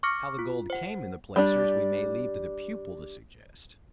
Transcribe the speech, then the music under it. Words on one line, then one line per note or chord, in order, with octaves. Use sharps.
How the gold came in the placers we may leave the pupil to suggest.
C#6 D6 F6 A#6 C#7
F4
C5 F#5
G3 D4